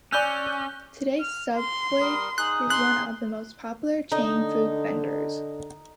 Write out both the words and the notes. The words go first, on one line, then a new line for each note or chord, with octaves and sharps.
Today, Subway is one of the most popular chain food vendors.
C#4 D5 G#5 E6 F#6 G6 G7
F6
C6
G3 A#4 D#6
D#4 G#4 D#6 F#6
C6 F#6
D3 D#4